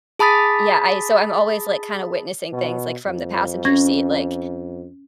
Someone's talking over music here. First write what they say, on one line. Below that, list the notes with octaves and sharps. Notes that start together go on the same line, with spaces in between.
yeah, I so I'm always, like, kinda witnessing things, like, from the passenger seat, like,
G#4 A5 B5 D#6 A6 B6
B2
F2
C#4 G#6 A#6